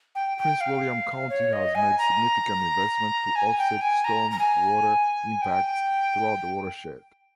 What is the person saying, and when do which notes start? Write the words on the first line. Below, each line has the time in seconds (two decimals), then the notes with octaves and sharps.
Prince William County has made significant investments to offset stormwater impacts throughout the watershed.
0.15 G5
0.38 G5
0.61 F5
1.30 C#5
1.53 D#5
1.75 G#5
1.98 A#5
3.35 G#5
3.58 G5
3.81 G#5
4.04 A#5
4.31 A#5
4.39 G#5
5.42 G5